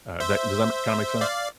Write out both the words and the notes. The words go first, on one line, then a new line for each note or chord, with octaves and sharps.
Uh, if that does that ma kinda make sense?
C5 E5
D5 F5